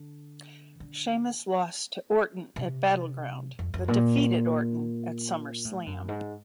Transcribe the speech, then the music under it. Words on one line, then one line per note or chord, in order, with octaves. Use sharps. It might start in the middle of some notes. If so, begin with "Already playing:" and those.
Sheamus lost to Orton at Battleground, but defeated Orton at SummerSlam.
Already playing: D3
D3
C3
F2
F2
A#2
A2
F#2
G#2